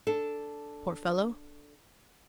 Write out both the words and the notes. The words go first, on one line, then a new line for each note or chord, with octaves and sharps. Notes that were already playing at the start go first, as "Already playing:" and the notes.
Poor fellow!
D4 A4